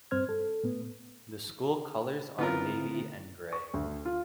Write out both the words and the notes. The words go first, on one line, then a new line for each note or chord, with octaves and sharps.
The school colors are navy and grey.
G2 C4 C5 F6 G#6
A4
A2 B3
D3 B3 C4 E4 F4 A#4
C#6
D2
F4